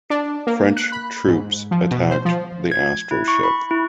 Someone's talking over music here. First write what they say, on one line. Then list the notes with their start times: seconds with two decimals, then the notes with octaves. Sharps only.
French troops attack the astroship.
0.10 D4
0.47 A#3
0.76 F#6
0.92 B5
1.28 G#2
1.71 F3
1.91 B2
2.10 C5
2.25 F3
2.71 G#6
3.11 E4
3.28 C#6
3.44 B5
3.71 E4